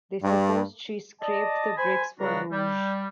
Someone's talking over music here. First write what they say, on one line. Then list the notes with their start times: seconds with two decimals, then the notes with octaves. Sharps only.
They supposed she scraped the bricks for rouge.
0.23 G2
1.21 D5 D#5 A5
1.76 C5 G#5 B5
2.20 C#2 C#3 G3 D4 F#4 A#5
2.51 G3